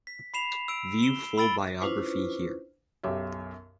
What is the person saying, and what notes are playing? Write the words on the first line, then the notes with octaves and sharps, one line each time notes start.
View full biography here.
B6
B5 C7 E7 F7
E6 D7
E7 G7
B5 E6 A6 D7 G7
C#4 D4 E4 F4 B4 C5
B1 F#2 G4 C#5 E5